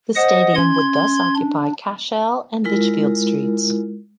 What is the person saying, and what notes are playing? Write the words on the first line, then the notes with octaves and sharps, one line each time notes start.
The stadium would thus occupy Cashel and Lichfield streets.
C5 D#5 F#5 D#6
C#4 C6 G#6
D4
G#3 E4 F4 A#4